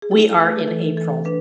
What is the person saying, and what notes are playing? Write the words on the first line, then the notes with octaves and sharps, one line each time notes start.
We are in April.
G#4
E4 A4
A3 B4
E3 A4
E3 A4
D4 B4